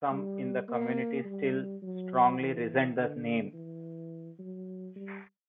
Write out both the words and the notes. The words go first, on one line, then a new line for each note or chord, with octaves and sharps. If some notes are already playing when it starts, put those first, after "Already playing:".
Some in the community still strongly resent the name.
G3
A#3
G3
F#3
E3
D3
E3
F#3
G3